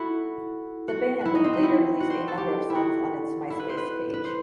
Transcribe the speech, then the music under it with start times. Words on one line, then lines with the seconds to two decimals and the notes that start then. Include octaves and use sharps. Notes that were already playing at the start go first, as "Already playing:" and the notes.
The band later released a number of songs on its MySpace page.
Already playing: E4 F#4 A4
0.88 F#4
1.21 E4 F#4
1.35 D#4
1.44 C4
1.53 D#4
1.63 E4
2.00 F#4
2.10 C5
2.28 A4
2.37 G4
2.70 E4
2.75 F#4
3.50 E4
3.59 B4
3.69 C5
3.77 B4
4.14 B4
4.25 C5